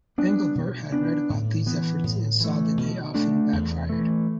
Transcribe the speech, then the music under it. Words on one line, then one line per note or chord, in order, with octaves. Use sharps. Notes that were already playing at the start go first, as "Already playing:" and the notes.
Engelbart had read about these efforts and saw that they often backfired.
G3 B3 D4
B2
B3 D4
A2
E3 B3
A2
E3 A3
B2
A3 D4
E2
E3 A3